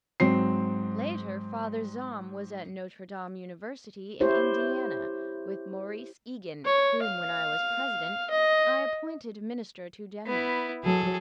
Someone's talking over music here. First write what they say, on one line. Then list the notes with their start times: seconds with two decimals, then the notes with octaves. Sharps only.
Later Father Zahm was at Notre Dame University, in Indiana, with Maurice Egan, whom, when I was President, I appointed minister to Denmark.
0.20 G#2 F#3 C4 C7
4.20 E4 G4 C5 C#5
6.65 C#5
7.03 F5
8.30 D#5
10.26 B3 E4
10.84 F#3 G#4 A4